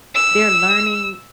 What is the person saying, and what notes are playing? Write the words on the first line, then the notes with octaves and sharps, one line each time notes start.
They're learning
E6